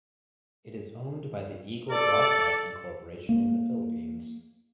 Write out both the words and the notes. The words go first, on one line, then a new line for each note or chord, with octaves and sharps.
It is owned by the Eagle Broadcasting Corporation in the Philippines.
A4 D5
A#3